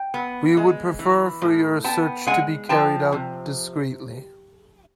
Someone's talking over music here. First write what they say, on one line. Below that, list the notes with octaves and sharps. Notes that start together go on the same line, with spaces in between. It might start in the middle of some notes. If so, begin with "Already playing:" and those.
We would prefer for your search to be carried out discreetly.
Already playing: G5
B3
G#3
E3
A2
B3 G5 A5
G#3 F#5 G#5
F3 G5 A5
C3